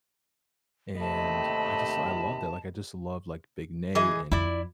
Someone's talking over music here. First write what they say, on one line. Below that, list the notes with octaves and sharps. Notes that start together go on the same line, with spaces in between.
and I just I loved it, like, I just loved, like, Big Nate and
D#2 C3 A3 D#5 A5 B5
E3 G#4 D#5
F2 E4 D5